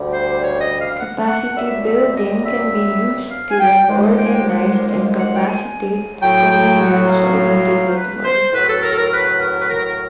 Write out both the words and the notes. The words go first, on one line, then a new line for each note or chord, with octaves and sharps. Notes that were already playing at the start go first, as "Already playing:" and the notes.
Capacity building can be used to reorganize and capacitate governments or individuals.
Already playing: D2 D3 G3
C5
C#5
D#5
F5
F5
F#5
F#5
F#2 D3 G3 E5
E5
D#5
E5
F5
G#5
G5
D#2 D3 F3 G#3
G5
G#5
G5
F#5
F5
F#5
G5
G#5
A2 F#3 G5
G5
F#5
F5
C5
B4
C5
A2 F#3 B4
A4
A#4
A4
A#4
B4
A#4
B4
A#4